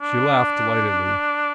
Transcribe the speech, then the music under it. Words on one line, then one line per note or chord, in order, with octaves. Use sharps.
She laughed delightedly.
D4